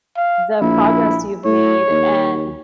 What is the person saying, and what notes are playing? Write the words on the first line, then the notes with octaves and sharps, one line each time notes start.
the progress you've made and
F5
A#1 E4
A2 C#5
D#2